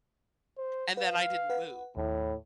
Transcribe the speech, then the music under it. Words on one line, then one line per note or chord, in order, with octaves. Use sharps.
and then I didn't move.
C5
B4 F5
B4 F#5
D#2 A2 E4